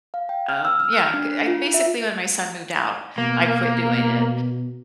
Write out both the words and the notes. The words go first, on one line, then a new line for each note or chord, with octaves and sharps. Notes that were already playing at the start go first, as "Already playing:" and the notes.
um, yeah, c I basically, when my son moved out, I quit doing it
F5
G5
F6
E6
F6
F#6
D4
C7
F4
E5
B2 A#3